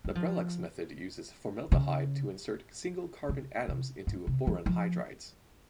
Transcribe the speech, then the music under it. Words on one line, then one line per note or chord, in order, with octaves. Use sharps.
The Brellochs method uses formaldehyde to insert single carbon atoms into boron hydrides.
G3
F3
C#3
C#3
C3
G#2
C3
E3
F3